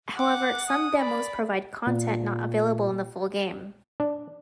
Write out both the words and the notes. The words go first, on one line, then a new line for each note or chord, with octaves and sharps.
However, some demos provide content not available in the full game.
F#5 D6
D#6
D5 B5
A#2
D4